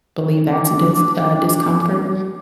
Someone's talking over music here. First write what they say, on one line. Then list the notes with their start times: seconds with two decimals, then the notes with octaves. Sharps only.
believe that's a dense uh, discomfort,
0.50 D4 D6